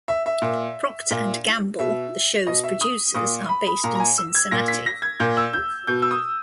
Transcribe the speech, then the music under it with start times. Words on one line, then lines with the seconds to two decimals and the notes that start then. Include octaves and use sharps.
Procter and Gamble, the show's producers, are based in Cincinnati.
0.08 E5
0.26 E5
0.42 A#2
1.11 A#2
1.79 B2 E5
2.47 B2 D#5
2.64 E5
2.81 D#6
3.15 A#2 D#6
3.49 B5
3.67 B5
3.84 A#2 A#5
3.95 A#5
4.00 G#5
4.18 E6
4.35 G#6
4.51 A#2 A#6
4.68 B6
4.86 A#6
5.02 G#6
5.20 A#2 G6
5.37 E6
5.53 G6
5.87 B2 G6
6.02 E6
6.11 D#6